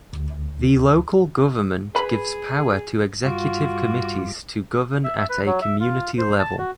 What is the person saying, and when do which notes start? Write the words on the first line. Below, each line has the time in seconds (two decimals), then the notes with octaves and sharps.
The local government gives power to executive committees to govern at a community level.
0.13 D2
1.95 G#4 B4 B5
3.25 G2 G3 F4 F#4 D6
5.04 E5
5.17 E5
5.29 B4
5.46 F#3
5.62 E5
5.80 F4
6.18 C5
6.39 A5
6.59 F#4